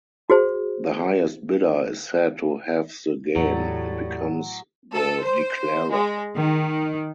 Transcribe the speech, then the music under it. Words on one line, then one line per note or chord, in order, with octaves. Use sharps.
The highest bidder is said to "have the game" and becomes the declarer.
F#4 G#4 C5
E2 A2 F#3 A3 G4 D5 F#5
A4
C5
G#3
D#3